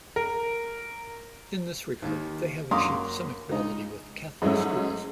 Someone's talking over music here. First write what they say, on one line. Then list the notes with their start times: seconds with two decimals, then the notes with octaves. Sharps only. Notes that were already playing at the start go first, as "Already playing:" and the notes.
In this regard they have achieved some equality with Catholic schools.
0.16 A#4
2.02 D#2 D#3
2.71 F#2 A#3 A#5 C6 D6 D#6
3.49 C#2 D#4
4.42 G#2 F#3 G#3 A3 C#4 E4